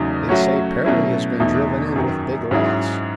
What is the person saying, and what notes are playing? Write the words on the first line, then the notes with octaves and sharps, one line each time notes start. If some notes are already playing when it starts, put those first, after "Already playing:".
"They say Perry has been driven in with big loss."
Already playing: E2 C#3 F#3 A3 D#4
F#3 A3 C#4 F#4 C#5
B2 F#3 A3 C#4 E4
E2 B2 A3 D#4
F#2 D#3 F#3
G#2 F#3 C#4 E4 G#4